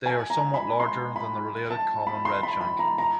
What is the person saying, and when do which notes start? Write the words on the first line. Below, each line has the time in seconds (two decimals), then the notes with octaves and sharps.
They are somewhat larger than the related common redshank.
0.06 G#5
0.30 A#5
0.54 B5
0.80 C6
1.16 B5
1.70 A5
2.07 B5
2.25 C6
2.43 B5
2.61 B5
2.79 A#5
2.98 A#5